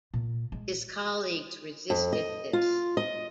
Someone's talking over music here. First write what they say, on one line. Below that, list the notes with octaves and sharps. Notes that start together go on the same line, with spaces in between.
His colleagues resisted this.
A#2
G#3
F2
D#5
F4
D#5